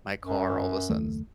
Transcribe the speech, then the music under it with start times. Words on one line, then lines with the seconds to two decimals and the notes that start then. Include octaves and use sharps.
my car all of a sudden s
0.23 F#2
0.89 F#1 D#2 A3